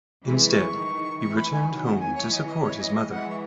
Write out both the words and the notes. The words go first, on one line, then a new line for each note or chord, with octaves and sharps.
Instead, he returned home to support his mother.
E3 G#3
C#6
D#3
E3 C#6
B5
G#5
D#3 F#3
F#5
G#5
E3 C#5
D#5
D#5
C#5
D#5
D#5
E3 G#3 F#5
C#6